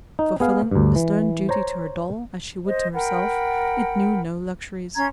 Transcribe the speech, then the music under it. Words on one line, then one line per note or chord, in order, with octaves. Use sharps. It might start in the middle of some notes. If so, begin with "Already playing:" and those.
Fulfilling a stern duty to her doll, as she would to herself, it knew no luxuries.
D#4
B3 G#4 F5
D2 G2
E3
C5 C#5 A#5
C5 D#5
A#4 F#5 G5 B5
C#4 A#5 C6 G#6